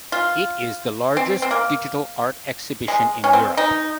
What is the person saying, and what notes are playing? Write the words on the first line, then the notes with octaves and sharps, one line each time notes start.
It is the largest digital art exhibition in Europe.
F4
C4
C4
A#3
G#3
C#4
C4
D#4